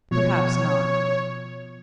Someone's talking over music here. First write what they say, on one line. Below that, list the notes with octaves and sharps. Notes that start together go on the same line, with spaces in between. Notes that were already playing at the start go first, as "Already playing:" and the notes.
'Perhaps not.
B2 F3 C#5